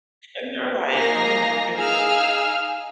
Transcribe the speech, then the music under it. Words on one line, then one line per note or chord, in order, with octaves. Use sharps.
And they're like, "Oh my goodness,"
A#3 D#4 G#5 A#5 A#6 C7
D#4 G#4 F5 G#5 E6 F6